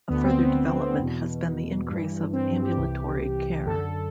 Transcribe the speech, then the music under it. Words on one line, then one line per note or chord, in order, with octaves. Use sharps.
A further development has been the increase of "ambulatory care".
D2 D3 B3
C4
B3
E2 B2
G2 E3
C4
G4
C2 C3 E3
F#2 D3 A4